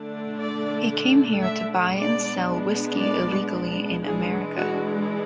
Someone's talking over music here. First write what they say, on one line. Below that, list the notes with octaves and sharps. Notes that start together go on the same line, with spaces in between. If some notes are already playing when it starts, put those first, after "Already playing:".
He came here to buy and sell whiskey illegally in America.
Already playing: D3 A3 D4
D5
E5
G#3 B3 D4 D5
D5
E3 G#3 D4 G#4
F#4